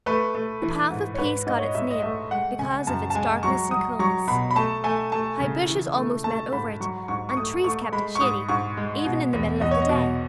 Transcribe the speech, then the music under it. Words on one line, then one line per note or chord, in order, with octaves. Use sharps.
The Path of Peace got its name because of its darkness and coolness. High bushes almost met over it, and trees kept it shady, even in the middle of the day.
A3 B4
A3
E3
G#2
C#5
G#2 B4
G#2 D#5
C#5
D#5
G#2 E5
D#5
A3 E5
G#3 F#5
C#3 G#5
F#2 A5
A5
G#3 G#5
F#3 C#6
F#3 D#6
F#3 C#6
B2 B5
B5
A3 A5
A3 G#5
A3 A5
C#3
E3
A3
A3 A5
G#2 B5
F#3 C#6
G#2 C#6
C#6
A3 D#6
A3 C#6
G#3 B5
C#6
G#2 D#6
G#2 C#6
G#3
B2
E2
E2 D#5
C#5
D#5
B2